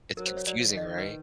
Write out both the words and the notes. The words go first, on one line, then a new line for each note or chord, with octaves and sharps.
It's confusing, right?
F#3 A#4
C5
C#5
F#3 D5
F3
D#3
D#5
D#5
B4